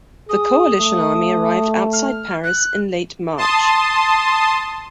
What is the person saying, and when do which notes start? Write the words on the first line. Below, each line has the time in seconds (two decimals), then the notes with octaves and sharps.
The Coalition army arrived outside Paris in late March.
0.29 G#4 D#6
0.78 A3
1.93 F6
2.43 F#6
3.37 A5 C6 D#6